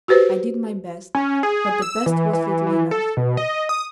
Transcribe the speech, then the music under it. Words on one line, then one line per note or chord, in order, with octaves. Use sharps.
I did my best, but the best was little enough.
F#4 G4 B4 C5
C#4
G#4
E6
E3
E3
E3
A4
B2
D#5
D#6